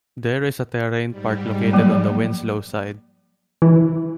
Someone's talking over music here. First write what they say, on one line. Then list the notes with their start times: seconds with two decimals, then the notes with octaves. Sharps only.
There is a terrain park located on the Winslow side.
1.09 G#2 G3
1.73 F3 F#3 A#3
3.62 E3